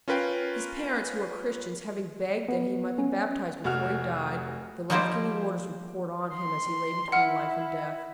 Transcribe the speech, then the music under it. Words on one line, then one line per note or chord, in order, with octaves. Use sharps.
His parents, who were Christians, having begged that he might be baptized before he died, the life-giving waters were poured on him as he lay between life and death.
C#4 F4 A#4 B4 F5 G5
B3
C#4
F1 F#4 F6
F3 G3 A#3 D#4 G4 C5
C6
E4 F#5 F6